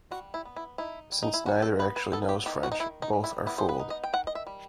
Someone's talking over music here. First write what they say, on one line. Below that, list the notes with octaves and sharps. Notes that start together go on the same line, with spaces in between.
Since neither actually knows French, both are fooled.
G3 F#4
E4
B3
E4
D#4 E4
G3
D#4
E4
G3 F#4
A4
B3 B4
B4
B3 A4
G4
D#4 G4
F#4
D#4
D#3 E4
D#4
G3
E4
B3 E4
C5
B4
D#4
D#5
G5
D#3 F#5
D#5
E5
G3